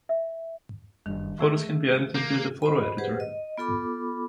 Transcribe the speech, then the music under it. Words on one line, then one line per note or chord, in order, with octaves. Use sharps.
Photos can be edited via the photo editor.
E5
F#1 G2 D#3
G#3 A3 G#4 E5 C#6 E6 F#6
A#3 D6 G6 D7
C5 D#5 B5
G4 G#4 B4 C5 F#5
D#5
B3 F4 A4 B5 D6